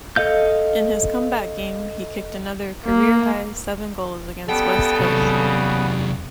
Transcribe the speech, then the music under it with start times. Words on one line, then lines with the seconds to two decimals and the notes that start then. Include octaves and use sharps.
In his comeback game he kicked another career-high seven goals against West Coast.
0.16 A4 D#5 F5 G6
2.86 A#3
4.49 C#3 G3 B3 A4 G5
5.00 C3 F#3